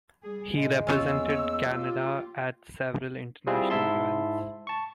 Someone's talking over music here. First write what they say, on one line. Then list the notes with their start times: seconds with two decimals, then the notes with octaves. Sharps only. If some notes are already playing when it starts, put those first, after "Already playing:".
He represented Canada at several international events.
0.22 G3 G#4
0.57 A#2 D3 G#3
0.87 E2 A#3 B3 C#4 F4 C#5 E6
1.30 C#5
1.65 A#3 F4 G4
3.47 G3 C4 E4 F4 G#4
3.70 G#2 E4 E5 A5 C6
4.67 A5 C#6